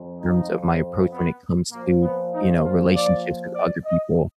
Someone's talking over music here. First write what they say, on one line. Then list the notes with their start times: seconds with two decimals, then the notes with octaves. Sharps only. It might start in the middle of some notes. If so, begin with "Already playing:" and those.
terms of my approach when it comes to, you know, relationships with other people,
Already playing: F2 F3
0.19 D#4
1.10 B3
1.71 A#2 F3 A#3
2.02 B3
2.33 D#4
2.63 F4
2.93 D5
3.54 D5
3.85 D#5